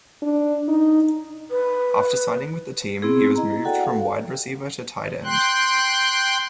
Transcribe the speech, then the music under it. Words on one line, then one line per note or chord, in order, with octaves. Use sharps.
After signing with the team he was moved from wide receiver to tight end.
D4
D#4
B4
B3 C4 E4 G#4
D#5 A#5
F#4 A4 D5 F#5 G5
F5
G5 C6 F#6